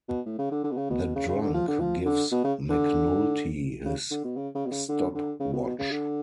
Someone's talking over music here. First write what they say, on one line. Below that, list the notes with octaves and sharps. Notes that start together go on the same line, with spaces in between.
The drunk gives McNulty his stopwatch.
B2
A2
C#3
D3
D3
B2
C#3
B2
B2
C#3
C#3
D3
F3
D3
F3
D3
B2
C#3
D3
C#3
D3
B2
C#3
C#3
B2
C#3
D3
D3
C#3
B2
B2
C#3
D3